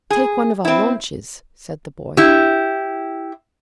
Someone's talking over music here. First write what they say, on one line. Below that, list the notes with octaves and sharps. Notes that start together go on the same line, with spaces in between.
"Take one of our launches," said the boy.
G#4
C4 E4
E4 G4